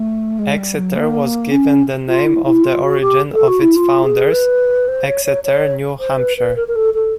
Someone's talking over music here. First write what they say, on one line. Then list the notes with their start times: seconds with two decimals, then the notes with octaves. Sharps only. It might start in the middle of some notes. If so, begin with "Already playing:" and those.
Exeter was given the name of the origin of its founders, Exeter, New Hampshire.
Already playing: A3
0.39 G#3
0.58 G3
0.77 F#3
0.96 A#3
1.51 C#4
2.08 F4
2.26 E4
2.45 E4
2.64 F4
2.82 F#4
3.01 G4
3.33 A4
3.48 F#4
3.61 E4
3.76 F4
4.04 G#4
4.32 B4
4.88 C5
5.06 C#5
5.25 C#5
5.44 C#5
6.00 C5
6.18 B4
6.37 B4
6.56 A#4
6.68 A#4
6.75 A4
6.94 A4